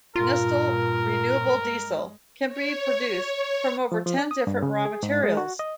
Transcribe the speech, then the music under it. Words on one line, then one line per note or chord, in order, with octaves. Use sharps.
Neste Renewable Diesel can be produced from over ten different raw materials.
G2 A#2 F4 A#4
G#3
C#5
F3
F3
D4
D#6
G2
C#3
G#4
G#2
G#3
F#4
D#5